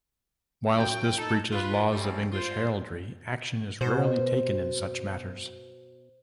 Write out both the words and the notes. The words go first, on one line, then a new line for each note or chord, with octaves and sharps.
Whilst this breaches laws of English heraldry, action is rarely taken in such matters.
F#2 F#3 G5
D#4 A4
F4 B4
G3 A3 C4 C#4 A4
F4 C5
B2 C5